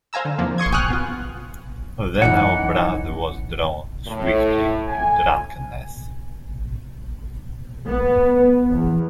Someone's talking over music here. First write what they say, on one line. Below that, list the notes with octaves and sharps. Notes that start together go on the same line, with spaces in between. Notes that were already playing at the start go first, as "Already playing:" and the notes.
Then our brother was drawn — swiftly — to drunkenness.
C5 F5 G#5 A#5 E6
D3
E2 G2 C3 F3 A#3
C6 C#6 D#6 G#6
G5 G#5 C#6 D#6 F6 F#6
B3 F4
F#2 E3 D#4 F#5
A2
G#5
B3
E2